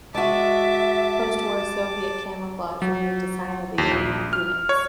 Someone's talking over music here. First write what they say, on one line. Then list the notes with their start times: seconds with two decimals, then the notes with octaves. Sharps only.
Post-war Soviet camouflage remained a sign of elite units.
0.14 G#3 F#4 E5 A5 D6
2.82 F#3
3.78 D#2
3.91 A#1
4.33 F6
4.69 C#5